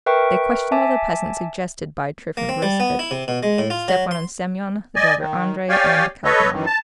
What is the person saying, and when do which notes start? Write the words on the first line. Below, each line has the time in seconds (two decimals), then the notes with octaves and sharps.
They questioned all the peasants suggested by Trifon Borissovitch, Stepan and Semyon, the driver Andrey, and Kalganov.
0.06 A#4 B4 E5 G5 C#6
0.72 E5 G#5 A5 D6
2.37 A#3
2.49 C4
2.62 G3
2.80 B3
2.99 E4
3.11 C3
3.28 B2
3.43 G#3
3.58 A2
3.70 F4
3.88 F#3
4.11 C6
4.96 D5 D#5 G#5
5.19 D#3
5.69 G4 C#5 D5 F5 G5 G#5
6.24 A4 B4 C#5 D#5
6.52 F#2 D#3 E3
6.66 A5